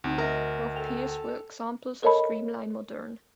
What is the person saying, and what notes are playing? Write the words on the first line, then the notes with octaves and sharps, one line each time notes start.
Both piers were examples of Streamline Moderne.
D2 A3 C4 D#4
A#4 D#5 E5 F6
A4 G5 F7
A4 A#4 C#5 D#5 A5 B5